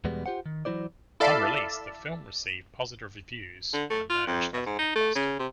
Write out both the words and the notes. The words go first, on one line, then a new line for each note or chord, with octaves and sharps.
Upon release the film received positive reviews, and emerged as a blockbuster.
E2 B2 G3 G#3 B3
F4 G4 C5 F#5
D#3
E3 F#3 E4 C5 D5
E4 A4 D5 E5 F5 A5
D3
A3
F4
F2
B2
G#2
D#4
A3
C#3
C3